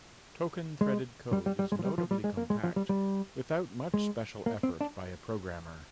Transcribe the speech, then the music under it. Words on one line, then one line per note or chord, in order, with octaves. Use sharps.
Token threaded code is notably compact, without much special effort by a programmer.
G#3
G3
G3
G3
G#3
F3
G3
F3
G3
G#3
A#3
G#3
F3
G3
G3
G#3
A#3
C4
D4